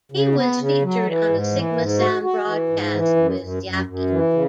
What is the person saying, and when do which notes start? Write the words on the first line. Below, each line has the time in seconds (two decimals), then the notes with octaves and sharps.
He was featured on a Sigma Sound broadcast with Sciaky.
0.12 C#3
0.35 B3
0.59 C#3
0.82 F#3
1.06 E3
1.29 G#2
1.52 E3
1.76 G#2
1.99 F#4
2.23 F#4
2.46 E3
2.69 G#2
2.93 E3
3.16 F#2
3.39 F#2
3.63 F#2
3.86 F#2
4.10 E3
4.33 C#3